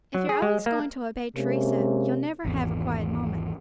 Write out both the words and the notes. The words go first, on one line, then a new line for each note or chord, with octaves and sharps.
"If you're always going to obey Teresa, you'll never have a quiet moment."
F#3
G#4
G#3
A#3
C3 G#3 A#3 C#4
G#1 E2